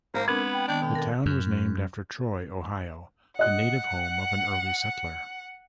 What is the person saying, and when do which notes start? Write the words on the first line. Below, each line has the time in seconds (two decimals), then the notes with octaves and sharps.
The town was named after Troy, Ohio, the native home of an early settler.
0.14 G#1 A#3 C5
0.28 G#3 B3 C4 D4 A#4 B5 G#6
0.53 G5
0.68 D#3 B3 D4 G5
0.82 B2 D3 D#3
0.95 A4 A#4
1.26 F#2
3.39 D#5 F#5 F#6